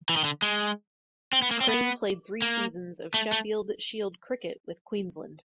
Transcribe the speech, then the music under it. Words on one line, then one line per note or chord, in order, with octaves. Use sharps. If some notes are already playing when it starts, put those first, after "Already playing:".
Crane played three seasons of Sheffield Shield cricket with Queensland.
E3
D#3
D3
G#3
C4
B3
A#3
C4
B3
A#3
A3
A3